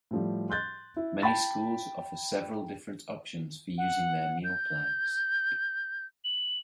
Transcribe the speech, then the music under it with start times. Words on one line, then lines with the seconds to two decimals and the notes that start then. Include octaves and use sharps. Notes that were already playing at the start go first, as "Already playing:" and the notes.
Many schools offer several different options for using their meal plans.
0.11 A2 F3 G3
0.50 C6 F#6 G6 A6
0.97 E4
1.22 G5 A5 B5 A6
3.78 F#5
4.44 G6
6.24 F#7